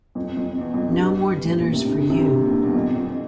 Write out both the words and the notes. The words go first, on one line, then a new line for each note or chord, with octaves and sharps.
No more dinners for you.
F2
F2
E2
F2
G2
A2
A#2
C3
D3
C3
A#2
D3
E2
F2
F2